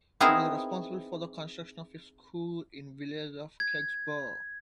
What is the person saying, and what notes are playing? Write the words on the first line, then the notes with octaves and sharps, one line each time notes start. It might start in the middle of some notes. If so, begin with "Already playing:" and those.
He was responsible for the construction of a school in the village of Kexborough.
B3 C4 D#4 E4 G#4 A#4
G#6